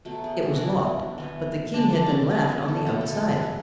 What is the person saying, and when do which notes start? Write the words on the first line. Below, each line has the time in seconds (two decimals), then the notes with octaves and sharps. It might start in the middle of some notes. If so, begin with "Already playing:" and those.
It was locked, but the key had been left on the outside.
0.05 B2 F#3 A3
0.24 G#4
0.43 F#4
0.56 D4
0.62 E3 B3 E4
1.18 E3 B3
1.74 D3 G#3 B3 D4
1.93 D4
2.06 D4
2.12 C#4
2.30 B2 G#3 B3 D4
2.49 B4
2.68 A4
2.86 D3 A3 B4
3.01 A4
3.14 A4
3.29 B4
3.43 E3 B3 G#4